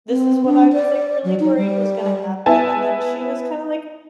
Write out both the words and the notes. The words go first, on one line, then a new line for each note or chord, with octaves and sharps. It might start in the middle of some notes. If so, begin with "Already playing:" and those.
this is what I was, like, really worried was gonna happen." And then she was kinda, like,
C4
D4
D5
F#3
D#4
G3
B3 E4 G#5 A5